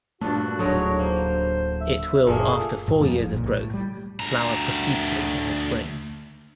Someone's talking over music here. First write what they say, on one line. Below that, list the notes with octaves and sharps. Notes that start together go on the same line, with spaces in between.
It will after four years of growth flower profusely in the spring.
G2 A#2 A3 D4 F#4
D1 G#2 D3 F#3 A#4 C#5
A#3 C5
E5
F#1 A#2 A3 A#3 G#4
G#2
F2 F3 G3 A#3
F#1
B1 A#2
A2
G3
D2 A#5